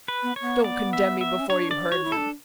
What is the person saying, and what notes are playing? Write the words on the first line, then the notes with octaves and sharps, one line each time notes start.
Don't condemn me before you've heard me.
B4
B3
B3 C#5
D5
E5
E5
C#4
D4 C#5
D5
F#4 C#5
E4
A4
D4